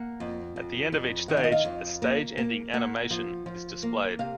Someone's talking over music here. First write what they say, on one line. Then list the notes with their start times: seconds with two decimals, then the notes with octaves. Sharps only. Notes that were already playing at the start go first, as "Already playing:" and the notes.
At the end of each stage, a "stage-ending animation" is displayed.
Already playing: A#3 F#5
0.20 F2
0.56 F2
0.92 F2
1.28 D#3 F#5
1.37 F5
1.44 D#5
1.52 F5
1.65 F2
2.02 A#3
2.38 A#3
2.73 A#3 F#5
3.10 F3
3.46 F3
3.83 A#3
4.19 C3 F5